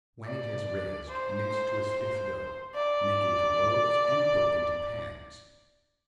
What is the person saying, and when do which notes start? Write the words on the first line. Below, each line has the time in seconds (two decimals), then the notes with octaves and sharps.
When it has raised mix to a stiff dough, make into loaves and put into pans.
0.25 D5
1.08 C5
2.74 D5